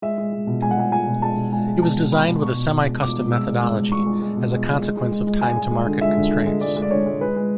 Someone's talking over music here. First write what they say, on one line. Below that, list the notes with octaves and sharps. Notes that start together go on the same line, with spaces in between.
It was designed with a semi-custom methodology, as a consequence of time-to-market constraints.
G#3 E5
G#3
G#3
B2
G#3 G#5
F#5
G#3 G#5
G#3 G#5
B2
G#3 A5
B2
G#3 G#5
G#3
B2 A5
B2
B2 B5
B2
B2 C#6
B2
B2
G#3
B2 D6
B2
G#3 E6
G#3
G#3 E6
G#3
G#3 C#6
G#3
G#3
B2
G#3
G#3
G#3
G#3
G#3
G#3
G#3 G#5
G#3
G#3
D3
G#3 E5
D3
D3
G#3
G#3 D5
G#3
D5
D3 C#5
G#3
G#3 B4
G#3